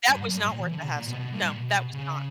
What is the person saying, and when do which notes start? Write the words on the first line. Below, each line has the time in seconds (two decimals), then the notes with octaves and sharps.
That was not worth the hassle. No. That was not.
0.09 G2
0.22 F#2
0.34 G2
0.46 A#2
0.59 E3
0.72 D3
0.83 B2
0.96 A#2
1.08 B2
1.20 B2
1.32 G2
1.44 A#2
1.56 B2
1.94 C#3